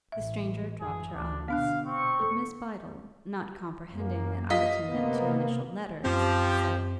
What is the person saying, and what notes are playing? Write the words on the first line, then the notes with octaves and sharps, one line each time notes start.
The stranger dropt her eyes, but Miss Bydel, not comprehending that Ireton meant two initial letters, said.
A1 A2 E3 E5
F#2 E3 G#4
D2 D4
B2 D3 B3 D4 F5 F#6
C4 C#6
E2 A4
F#2 A#3
F4 D#5 B6
C3 A#3 B3
F#2 F3 C4 G4